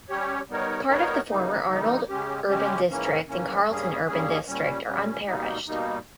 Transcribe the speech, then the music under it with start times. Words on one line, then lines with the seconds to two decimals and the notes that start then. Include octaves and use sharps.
Part of the former Arnold Urban District and Carlton Urban District are unparished.
0.09 G3 C#4 G4 C#5
0.49 G3 B3 D#4 A#4 C#5
0.89 G3 B3 D#4 A#4 C#5
1.29 C#3 E3 G3 A#3 D#4
1.69 C#3 E3 G3 A#3 D#4
2.08 C#3 G#3 C#4 G4
2.48 C#3 G#3 C#4 G4
2.88 G#2 E3 A#3 C#4
3.28 G#2 E3 A#3 C#4
3.68 G2 G3 A#3 C#4 G#4
4.08 G2 G3 A#3 C#4 G#4
4.47 A#2 G3 C#4
4.87 A#2 G3 C#4
5.27 B2 G3 A#3 D#4
5.66 B2 G3 A#3 D#4